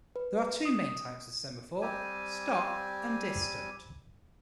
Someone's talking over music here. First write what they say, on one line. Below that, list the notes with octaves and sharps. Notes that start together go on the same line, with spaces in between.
There are two main types of semaphore; stop and distant.
B4
D#6
G3 C4 G4 G#5